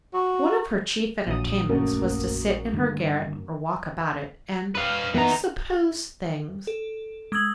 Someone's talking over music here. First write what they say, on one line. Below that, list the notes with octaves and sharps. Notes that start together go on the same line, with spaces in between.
One of her chief entertainments was to sit in her garret, or walk about it, and "suppose" things.
F#4
A#1 F#3 D#6
F#1 A3 A#3 C#4 F#4
G2 D3 D#3
B4 C#5 F5
E3 B3 D#4 A#5
A4
G#3 D#6 E6 G#6 F#7